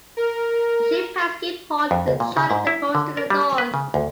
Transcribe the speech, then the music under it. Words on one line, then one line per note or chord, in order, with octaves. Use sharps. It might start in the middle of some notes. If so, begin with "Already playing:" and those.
The ship passed Cape Horn, then charted a course to the north.
A#4
F2
C#2
A#2
C#3
G#2
E4
D3
A#4
G3
B4
C#3
D2